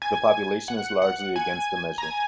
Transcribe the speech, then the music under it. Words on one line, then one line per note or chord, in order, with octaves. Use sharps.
The population is largely against the measure.
G#5
F#5
F#5
G#5
A#5
G#5